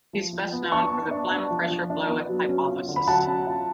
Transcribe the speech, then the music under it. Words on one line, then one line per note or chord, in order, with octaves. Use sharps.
He is best known for the phloem pressure flow hypothesis.
F3
F3
B3
D4 A5 C#6
B3
D4
D4
F3
F3
D4
B3
F#3
C#4
F4
D3
B5
F#3 F#5 A5
C#4
F4